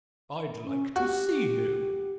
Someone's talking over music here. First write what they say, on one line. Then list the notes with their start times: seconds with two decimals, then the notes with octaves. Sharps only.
"I'd like to see him."
0.64 C#4
0.96 F#4 G4